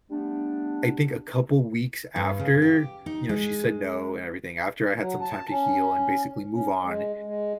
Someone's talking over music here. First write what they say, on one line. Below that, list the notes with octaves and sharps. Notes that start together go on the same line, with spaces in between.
I think a couple weeks after- you know, she said no and everything- after I had some time to heal and basically move on,
G3 A3 B3 D4
G2
C#3
G4
D#4
G#3
F#3
A5
C#4
C#4
G#3
G#3